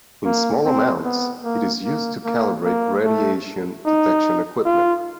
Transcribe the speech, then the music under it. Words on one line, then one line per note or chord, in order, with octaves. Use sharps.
In small amounts, it is used to calibrate radiation-detection equipment.
A#3
C4
B3
A#3
A#3
A#3
A#3
A3
D#4
F4